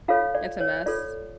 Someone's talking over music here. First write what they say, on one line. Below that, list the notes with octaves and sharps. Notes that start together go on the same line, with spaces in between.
It's a mess.
F4 A4 C#5 F5
D5
C#5
F4 A4 C#5 D5